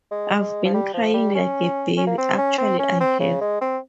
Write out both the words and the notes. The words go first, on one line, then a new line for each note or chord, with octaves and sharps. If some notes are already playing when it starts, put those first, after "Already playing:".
I’ve been crying like a baby, actually I have.
G#3
F3
G3
F3
G3
C#4
C#4
A#3
C4
C#4
C4
C#4
C4
C#3
G#3
C4